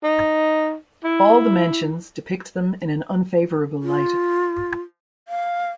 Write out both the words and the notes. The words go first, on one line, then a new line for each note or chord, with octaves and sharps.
All the mentions depict them in an unfavourable light.
D#4
E4
F4
F5